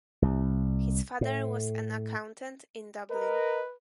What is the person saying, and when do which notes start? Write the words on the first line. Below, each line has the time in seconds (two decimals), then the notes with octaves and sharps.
His father was an accountant in Dublin.
0.22 C2
1.21 A2
3.11 A#4 B4 D#5